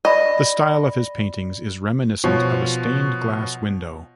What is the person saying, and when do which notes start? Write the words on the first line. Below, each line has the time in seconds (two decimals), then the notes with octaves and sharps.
The style of his paintings is reminiscent of a stained glass window.
0.05 D5 D#5 B5
2.24 B2 F3 C#5